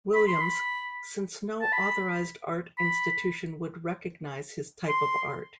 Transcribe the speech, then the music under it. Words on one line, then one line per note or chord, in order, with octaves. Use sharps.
Williams, since no authorized art institution would recognize his type of art.
B5
C6
B5
A5
B5
B5
C6